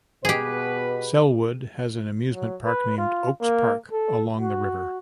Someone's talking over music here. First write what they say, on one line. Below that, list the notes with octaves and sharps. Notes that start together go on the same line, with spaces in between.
Sellwood has an amusement park named Oaks Park along the river.
B2 G4 G#4 B4
F#3
B4
F4
A#3
A4
F#4